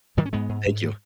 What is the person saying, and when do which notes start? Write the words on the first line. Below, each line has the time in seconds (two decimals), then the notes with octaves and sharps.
Thank you.
0.17 G#2 D#3 G3
0.26 C#4
0.33 G#2 G#3 B3
0.49 G#2
0.66 G#2